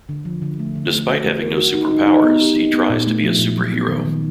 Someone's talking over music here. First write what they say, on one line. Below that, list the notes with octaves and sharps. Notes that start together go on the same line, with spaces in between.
Despite having no superpowers, he tries to be a superhero.
D3
F3
D3
A3
D3
A3
F#4
A3
A#4
F#4
D#4
D#4
D#4
B3
G4
D#4
B3
A#2
A3
F3
A#2
F#3
B3
D#3
D#3